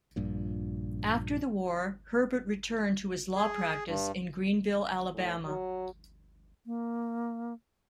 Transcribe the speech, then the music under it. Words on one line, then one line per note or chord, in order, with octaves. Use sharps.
After the war, Herbert returned to his law practice in Greenville, Alabama.
A#1 G2 A#2
G#4
G2
A2
F#3
A#3